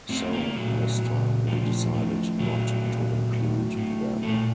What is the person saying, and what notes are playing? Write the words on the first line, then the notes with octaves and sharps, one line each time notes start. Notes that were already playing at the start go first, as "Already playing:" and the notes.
So this time we decided not to include them.
A2 C4
A#3
A#2 F#3
A#2
A2 F3
A2
A#2 F#3
A#2
A2
A2
A#2 A3